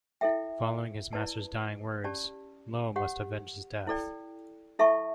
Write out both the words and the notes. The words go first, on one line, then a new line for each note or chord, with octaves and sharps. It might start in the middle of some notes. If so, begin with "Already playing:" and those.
Following his master's dying words, Lo must avenge his death.
E4 A4 E5 G5
E4 B4 D5 A5
C#4 G4 D5 A5
G4 C#5 F#5
E4 A4 D5 G5
E4 A4 E5 A5 C#6